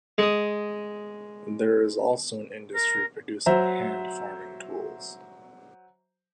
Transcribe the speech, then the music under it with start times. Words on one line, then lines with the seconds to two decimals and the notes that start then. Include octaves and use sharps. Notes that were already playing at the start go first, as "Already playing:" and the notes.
There is also an industry producing hand farming tools.
0.18 G#3 D#6
2.74 A#4
3.46 F#3 C5 E5 A#5